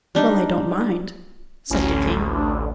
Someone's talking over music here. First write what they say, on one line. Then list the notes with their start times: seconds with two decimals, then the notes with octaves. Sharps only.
"Well, I don't mind," said the king.
0.15 G3 D4 D#4
1.70 A1 D2 C#4
2.31 D4